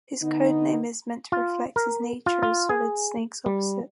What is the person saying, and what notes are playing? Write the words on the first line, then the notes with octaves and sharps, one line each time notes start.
His codename is meant to reflect his nature as Solid Snake's opposite.
D3 B3 D#4
F4
A#4
F4
F4
G#4
G3